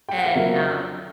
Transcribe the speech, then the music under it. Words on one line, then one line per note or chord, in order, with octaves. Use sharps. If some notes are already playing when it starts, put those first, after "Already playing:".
And, um,
G5
F#5
F5
F2 C#3 F#3 A#3 E5